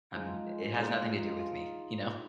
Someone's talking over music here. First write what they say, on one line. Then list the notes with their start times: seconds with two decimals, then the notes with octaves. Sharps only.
I'm i it has nothing to do with me, you know?
0.14 F3 G#3 D#4
0.77 F3 G#3 D#4
1.40 F4